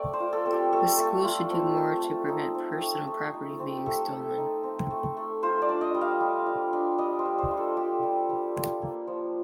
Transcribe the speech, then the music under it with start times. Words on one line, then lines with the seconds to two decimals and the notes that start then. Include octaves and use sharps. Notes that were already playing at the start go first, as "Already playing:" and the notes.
The school should do more to prevent personal property being stolen.
Already playing: A3 C4 D5
0.13 C5
0.20 F4
0.33 A4
0.46 C4
0.53 G4
0.73 A3 A4
0.98 A3
1.24 F4
1.50 C4
1.77 A3
2.02 A3
2.29 D#4
2.55 C4
2.81 A3
3.07 A3
3.34 D#4
3.59 C4
3.77 G4
3.86 A3 A4
4.12 A3
4.38 D#4
4.63 C4
4.90 A3
5.17 A3
5.42 F4 C5
5.62 D5
5.69 D4
5.81 D#5
5.95 G3
6.01 F5
6.21 G3
6.46 F4
6.73 D4
6.98 G3 D#5
7.19 C5
7.25 G3
7.38 C5
7.51 F4
7.57 A4
7.77 D4 G4
8.03 G3
8.30 G3
8.56 F4
8.82 A#3
9.07 F3